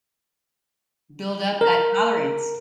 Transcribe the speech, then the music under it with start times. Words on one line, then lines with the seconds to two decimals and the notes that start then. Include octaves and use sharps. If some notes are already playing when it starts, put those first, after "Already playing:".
Build up that tolerance.
1.61 A#4